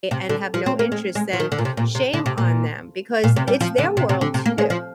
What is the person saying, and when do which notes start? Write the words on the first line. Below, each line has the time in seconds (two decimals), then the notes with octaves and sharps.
and have no interest then, shame on them, because it's their world too.
0.11 C3
0.29 D3
0.54 F3
0.66 C4
0.79 A#3
0.92 G#3
1.15 G#3
1.33 F3
1.40 D#3
1.52 D3
1.58 A#2
1.65 C3
1.77 A#2
1.95 C3
2.13 D3
2.26 C3
2.38 A#2
3.24 A#2
3.36 C3
3.48 G3
3.61 F3
3.78 D3
3.97 C3
4.09 C3
4.21 D3
4.34 C3
4.46 A#3
4.58 G#3
4.70 F3